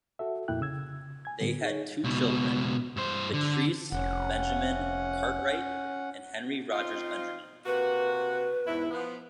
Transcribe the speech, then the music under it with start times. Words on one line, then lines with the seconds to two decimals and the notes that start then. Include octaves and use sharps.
They had two children, Beatrice Benjamin Cartwright and Henry Rogers Benjamin.
0.19 F#4 A4 E5
0.48 F2 A#2 A#3 E4 G5 F#6
0.61 C#3 E6 G#6
1.25 G#5 G#6
1.41 A2 D3 G3 B3
1.62 D#4 G#4 C#5
2.05 C#2 B2
2.97 G2 C5
3.34 D3
3.92 F1 C#4 F#5
6.72 C4 D#4 F4
7.66 C3 A#3 F#4 B4
8.67 E2 G#2 E4
8.91 F3 B3